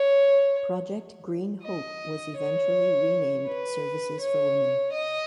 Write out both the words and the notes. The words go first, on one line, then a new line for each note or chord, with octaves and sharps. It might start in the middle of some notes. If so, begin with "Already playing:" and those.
Project Green Hope was eventually renamed Services for Women.
Already playing: C#5
D#5
C#5
B4
C#5
D#5